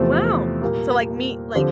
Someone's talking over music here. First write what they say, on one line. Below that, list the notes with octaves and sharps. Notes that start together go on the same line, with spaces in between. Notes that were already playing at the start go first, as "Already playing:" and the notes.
wow. So like meet like
Already playing: E2 C3 F3 A3 C4
A#2 G3 A#3
D3 F3 C4 G4